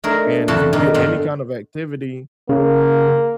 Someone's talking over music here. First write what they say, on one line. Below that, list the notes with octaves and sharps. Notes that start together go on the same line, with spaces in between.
and if you get any kind of activity
A3 D4 D#4 G#4 A#4
F2 D3 E3 F#4 A4 A5
F2 A#2 D#3 D#4
G2 D3 B3 G4 F5
C#3 A#3